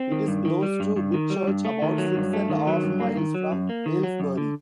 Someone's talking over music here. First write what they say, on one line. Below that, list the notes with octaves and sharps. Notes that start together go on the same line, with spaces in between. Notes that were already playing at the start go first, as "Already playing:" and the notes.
It is close to Whitchurch, about six and a half miles from Aylesbury.
Already playing: C4
D#3
G2
D#3
G3
G2
G2
D#3
G3
G2
A3
D#3
F#3
G2
A3
D#3
F#3
G2
A#3
D#3
F#3
F#2
A#3
D#3
F#3
F#2
D3